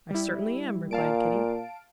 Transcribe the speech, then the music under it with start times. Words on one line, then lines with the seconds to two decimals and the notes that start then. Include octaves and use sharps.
"I certainly am," replied Kitty.
0.11 G3 E4
0.91 A#2 F5 A5 D7